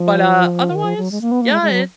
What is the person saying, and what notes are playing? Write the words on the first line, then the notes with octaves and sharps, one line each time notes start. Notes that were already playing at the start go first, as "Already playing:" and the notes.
But, uh, otherwise, yeah, it
Already playing: F3
D#3
F3
F#3
G#3
A#3
B3
A#3
G#3
G#3
F#3